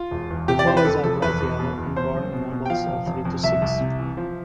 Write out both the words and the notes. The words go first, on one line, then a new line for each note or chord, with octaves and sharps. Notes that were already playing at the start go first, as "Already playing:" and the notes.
The flowers are bright yellow and borne in umbels of three to six.
Already playing: F4
E1
E2
C3 G4
D5
E3 C5
B4
F2 A4
F1 A4
E2 B4
E2
B2
E2
B2 C5
B1
B2
B2
G5
F3 F5
F1
F1
F2
C2 E5
C2
C3
E3
F3